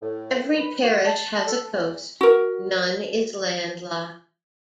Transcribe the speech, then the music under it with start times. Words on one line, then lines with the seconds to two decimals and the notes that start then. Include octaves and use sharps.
Every parish has a coast; none is landlocked.
0.02 A2
0.56 B4
0.82 F#4
1.05 A5
1.46 A4
1.73 E2
2.21 F#4 A#4